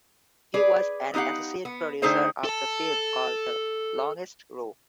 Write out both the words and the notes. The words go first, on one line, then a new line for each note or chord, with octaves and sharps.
He was an associate producer of the film called "The Longest Row".
G#4 B4 D5
B3 D#4 G4 F5 F#5
B3
D3 A3 D#4 G#4 C5 G5
A4 A5